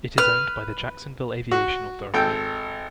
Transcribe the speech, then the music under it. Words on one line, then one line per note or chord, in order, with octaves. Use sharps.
It is owned by the Jacksonville Aviation Authority.
B4 F6
F#4
G#1 A4 G5